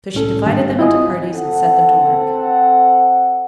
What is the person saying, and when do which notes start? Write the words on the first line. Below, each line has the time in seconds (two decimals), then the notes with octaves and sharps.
So she divided them into parties and set them to work.
0.14 C2 A2 C#4 A4
0.46 G#2 D#3 G3 A#3 D4 G4
0.79 E4 F4 D#5 G#5 D#6
1.33 C4 A4 F#5